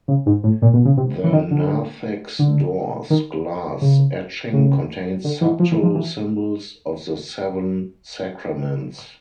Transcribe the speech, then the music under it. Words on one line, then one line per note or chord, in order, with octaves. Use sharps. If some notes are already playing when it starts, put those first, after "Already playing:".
The Narthex doors' glass etching contains subtle symbols of the seven Sacraments.
C#3
G#2
A2
A#2
B2
C#3
C3
E3
D#3
D3
D3
D#3
C#3
C#3
D3
E3
F3
E3
F3
E3